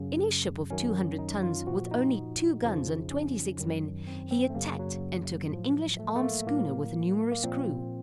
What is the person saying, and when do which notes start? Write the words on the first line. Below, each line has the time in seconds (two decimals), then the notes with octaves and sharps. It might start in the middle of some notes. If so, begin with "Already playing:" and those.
In his ship of two hundred tons, with only two guns and twenty-six men, he attacked and took an English armed schooner with a numerous crew.
Already playing: F#2 C#3 F#3
0.70 F#2 D#3 F#3 C#4
1.19 D#4
1.43 F4
1.67 A#2 F3 F#4
1.91 D#4
2.63 F2 C#3 F3
3.11 C#4
3.59 F#2 D#3 F#3
4.07 C4
4.31 C4
4.50 A3
4.54 F#2 C#3 F#3 A#3
4.79 F#3
5.51 A2 F3
5.99 A3
6.07 A#3
6.15 A3
6.23 A#3
6.47 A2 F#3 A#3
7.31 A#3
7.43 A#2 F3 C4